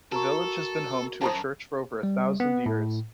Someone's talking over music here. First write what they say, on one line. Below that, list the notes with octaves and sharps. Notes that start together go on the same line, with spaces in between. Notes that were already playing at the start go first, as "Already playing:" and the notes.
The village has been home to a church for over a thousand years.
F#4 A4 A#4 A5 A#5 C#6
F#2 A5 A#5 D#6
G3
B3
A2